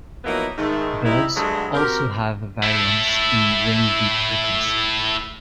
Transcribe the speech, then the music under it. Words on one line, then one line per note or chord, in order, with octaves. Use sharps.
Birds also have a variance in wing beat frequency.
F3 F#3 A#3 B3 D#4 E4
G#2 D#3 A3
G3 C4 D#4 E4
G2 D3 F#3 G#3 A3
C4 F#4 G4 A#4
A3 E4